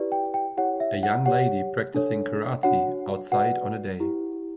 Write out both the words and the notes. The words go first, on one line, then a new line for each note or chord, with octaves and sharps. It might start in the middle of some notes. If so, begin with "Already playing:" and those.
A young lady practicing karate outside on a day.
Already playing: E4 G4 B4 D5
G5
G5
E4 G4 C#5 F#5
E5
F#5
G4 C#5 F#5
D4 A4 C#5
D4 F#4 C#5 F#5
F#4 B4 D5 F#5
E4 G4